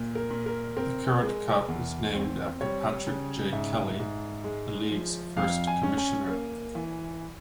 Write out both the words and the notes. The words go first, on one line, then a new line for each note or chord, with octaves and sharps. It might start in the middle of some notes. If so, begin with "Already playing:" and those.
The current cup is named after Patrick J. Kelly, the league's first commissioner.
Already playing: A#2
A#4
A#2
A#4
C4 A#4
G#3
E2
C4
G3 C#5
C#3
G#2 E5
G#2
G#3
F3
F2 F5
G#5
C#4
G#5
A#3
E3